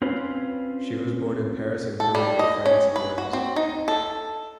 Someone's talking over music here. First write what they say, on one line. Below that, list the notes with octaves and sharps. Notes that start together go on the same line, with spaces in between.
She was born in Paris and grew up in France and Wales.
C4 C#4 F4 B4 C5
A4
G3
D#5
C#4
B4
F#4
C4
D#4
A4